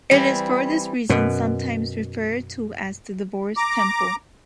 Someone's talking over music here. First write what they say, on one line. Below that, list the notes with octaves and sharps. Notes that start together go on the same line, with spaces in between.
It is for this reason sometimes referred to as the "Divorce Temple".
E3 G3 C4
F#2 B2
A#5 D6